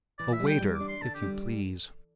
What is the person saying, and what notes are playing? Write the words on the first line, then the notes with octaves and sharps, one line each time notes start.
A waiter, if you please.
E3 D5
E5
G3
G5
G3
D6
D4
C6
D3 A5
G4
G3